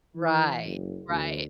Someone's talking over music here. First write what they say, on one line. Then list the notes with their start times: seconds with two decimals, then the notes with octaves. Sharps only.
Right, right.
0.16 E3
0.65 F#1
1.09 D2